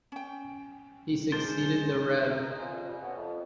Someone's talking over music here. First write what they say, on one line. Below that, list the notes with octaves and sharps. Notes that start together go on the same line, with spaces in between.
He succeeded the Rev.
C#4 G5
G#3 D4 A#4 C5 A6
A2 G#3
A#4 D#5
F2 F3 A#3 C4 F4 G#5
G3
A3 B3 C#4 F#4
F2